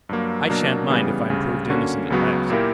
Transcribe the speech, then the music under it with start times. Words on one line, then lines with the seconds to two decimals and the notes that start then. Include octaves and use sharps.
"I shan't mind if I'm proved innocent at last."
0.09 G2 F#3 A#3
0.50 B2 F#3 A#3 D4 A#4
0.90 C#3 E3 G3 B3
1.30 D2 C#3 G3
1.70 D3 A#3 C#4 F#4
2.10 C#2 C#3 F#3 B3 F#4
2.50 A#2 A#3 E4 G4 A#4